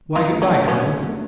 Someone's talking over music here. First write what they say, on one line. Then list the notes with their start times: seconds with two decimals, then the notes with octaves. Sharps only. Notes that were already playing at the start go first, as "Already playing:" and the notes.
"Why good-bye, Colonel?"
0.15 F#2 D#4 F4
0.33 A3
0.42 C#4 D#4
0.50 D3
0.68 F#3 B3 C#4
0.86 F#2
1.02 A3